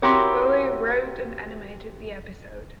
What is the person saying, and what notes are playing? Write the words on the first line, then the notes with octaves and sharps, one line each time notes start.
Boe wrote and animated the episode.
C4 E4 F#4 G4 A#4 C#5